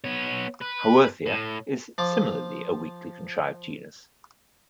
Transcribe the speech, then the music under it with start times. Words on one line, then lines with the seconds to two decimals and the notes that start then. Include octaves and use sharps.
"Haworthia" is similarly a weakly contrived genus.
0.04 B3 C#5
0.62 B4
1.26 A2
1.98 F3 F4 D6